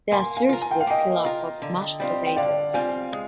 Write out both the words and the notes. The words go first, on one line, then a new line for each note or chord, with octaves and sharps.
They are served with pilaf or mashed potatoes.
A#3 G#5 C6
F5 G#5
F4 A#4
G#5
G5
F5
A#3 D#5 G5
F4 A#4
D3
G3 C4 F4
G5
D3 D5 F5
G3 C4 F4 F5 G#5
G#3